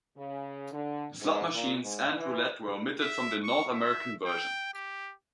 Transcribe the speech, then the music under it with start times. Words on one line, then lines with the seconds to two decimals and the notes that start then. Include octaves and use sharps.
Slot machines and roulette were omitted from the North American version.
0.17 C#3
0.72 D3
1.22 G#2
1.54 A#2
1.83 G#2
2.17 E3
3.01 E5
3.43 C#6
3.73 E5
4.26 G5
4.74 G4